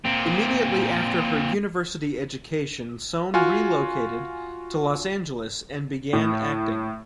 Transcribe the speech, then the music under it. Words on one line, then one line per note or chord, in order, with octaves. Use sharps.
Immediately after her university education Sohn relocated to Los Angeles and began acting.
A#2 C4
F4 F#4 G#5 F6
A2